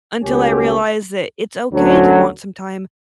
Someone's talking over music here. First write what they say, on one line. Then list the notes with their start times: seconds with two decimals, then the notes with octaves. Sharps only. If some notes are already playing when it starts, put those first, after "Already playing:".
until I realize that it's okay to want some time
0.22 C#2 B2 A#3 C#4 G4
1.72 D2 D3 F#3 C#4